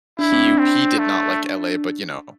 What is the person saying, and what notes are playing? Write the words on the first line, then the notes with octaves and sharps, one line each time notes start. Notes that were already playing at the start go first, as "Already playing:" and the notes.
he he did not like LA, but, you know
D4 E4
C4
D4
C4
A3